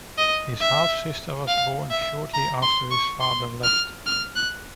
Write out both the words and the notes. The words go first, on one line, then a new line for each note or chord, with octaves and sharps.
His half-sister was born shortly after his father left.
D#5
E5
F5
E5
A#5
C6
C#6
C6
F6
F6
F#6